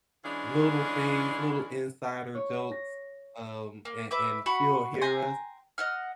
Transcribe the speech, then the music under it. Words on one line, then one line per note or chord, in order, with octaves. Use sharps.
little things, little insider jokes, um, and and she'll hear us,
E3 G#3 C#4 D4 F4
C#5
A#6
A#3
B4 E5 D6
F#4 F#5 B5 C#6
G5 G#5 A#5 C6
D#5 F#5 F6